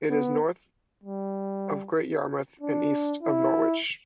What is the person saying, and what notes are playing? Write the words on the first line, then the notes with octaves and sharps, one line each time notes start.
It is north of Great Yarmouth and east of Norwich.
B3
G3
D4
E4